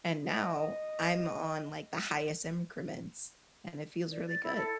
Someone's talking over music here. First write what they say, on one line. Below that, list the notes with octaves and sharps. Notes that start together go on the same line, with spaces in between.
and now I'm on, like, the highest increments, and it feels really good.
D#5
D5
A6
E4
A4